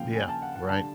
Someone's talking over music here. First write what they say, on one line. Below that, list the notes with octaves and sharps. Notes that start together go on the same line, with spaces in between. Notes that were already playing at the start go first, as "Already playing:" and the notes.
Yeah. Right.
Already playing: D#2 C#3 F3 A#3 F5 G5
G#5
A5
F#5
F#5
D3 G3 A5